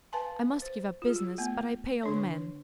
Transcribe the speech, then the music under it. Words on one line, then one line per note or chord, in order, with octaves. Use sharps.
I must give up business, but I pay all men.
B4 F5 G#5 A5 C6
C5
F4 G#4
F#4
A3 B3
D3 D4 C#5